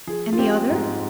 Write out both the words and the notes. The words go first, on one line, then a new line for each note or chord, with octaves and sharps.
"And the other?"
F3 G#4
F4
C4 G4
G#2